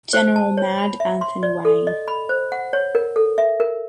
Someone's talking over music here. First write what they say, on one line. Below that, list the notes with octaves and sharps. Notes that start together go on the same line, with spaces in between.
General "Mad" Anthony Wayne.
C5
A5
C#5
B5
E5
C6
D5
A4
D#5
B5
C5
F#5
C#5
A#4
A4
E5
A#4